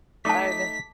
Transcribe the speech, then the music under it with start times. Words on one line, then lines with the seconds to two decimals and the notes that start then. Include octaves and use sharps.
I know.
0.25 A3 D#4 D#5 A5 D6 B6